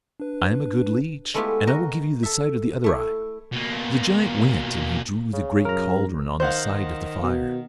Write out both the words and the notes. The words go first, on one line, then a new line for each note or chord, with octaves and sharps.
I am a good leech, and I will give you the sight of the other eye.' The giant went and he drew the great caldron on the site of the fire.
D4 B4
G#3 A3 B3 E4 F4 G4
F#4 A#4 D#5
A4 E5
A3 E4
B2 A#3
C#3
F#2 A#4 A#5
D#3 C5 F5 F#5 G6
B2